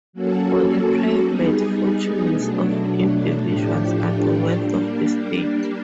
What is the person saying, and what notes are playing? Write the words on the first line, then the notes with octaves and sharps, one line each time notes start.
For the private fortunes of individuals are the wealth of the state.
F#3 A#3 C#4 F#4 A4
G3 B3 D#4 G#4
B2 F#3 A3 D4
A2 F3 A3 D4 G4
G3 A#3 D4